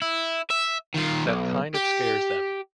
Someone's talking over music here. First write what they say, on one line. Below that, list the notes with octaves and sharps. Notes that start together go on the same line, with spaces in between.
That kind scares them.
E4
E5
D#3 F4
B1
G4